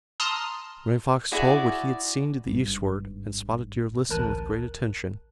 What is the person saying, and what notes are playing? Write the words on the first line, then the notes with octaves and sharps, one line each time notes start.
Running Fox told what he had seen to the eastward, and Spotted Deer listened with great attention.
A5 A#5 C6 D#6 F6
E4 F#4 G#4 D5
G#1 G2
A1 D2 A#4 A5 F#6 D#7